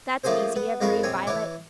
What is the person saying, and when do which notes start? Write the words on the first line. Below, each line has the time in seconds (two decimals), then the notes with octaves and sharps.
"That's easy," agreed Violet.
0.24 F3 A3 A#3 C#4 G#4 C5
0.56 B3
0.81 F2 G#3 A#4 F5 B5 C#6
1.03 A#1 C4 C#5 G#5
1.27 E3 E4 C#5 D6